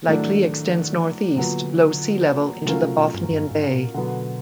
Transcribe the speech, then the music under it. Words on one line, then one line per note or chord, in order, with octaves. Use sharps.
Likely extends northeast below sea level into the Bothnian Bay.
A2 D#3 F#3 A3 D4
A#2 D3 F#3 B3
C#3 F#3 A3 C#4 F4 A#4
C3
B2
G2
G2
G#2
A#2
B2 D3 F#3 B3